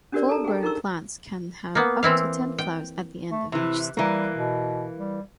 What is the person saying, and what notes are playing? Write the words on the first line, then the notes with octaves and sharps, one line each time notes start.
Full-grown plants can have up to ten flowers at the end of each stalk.
C#4 D4 F#4 G4 A#4 D5
A4 A5 A#5
G#4 G5
D#4 A#4 A#5 C#6 E6
A#3 B3
E3 C4 E4 F5
G5
A3
C3 E3 E4
E3 G3 A#3
B2
G3